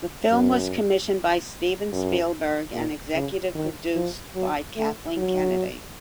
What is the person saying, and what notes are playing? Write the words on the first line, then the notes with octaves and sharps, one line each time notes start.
The film was commissioned by Steven Spielberg and executive produced by Kathleen Kennedy.
F#2
F#2
A#2
C#3
D#3
F3
F#3
A3
F#3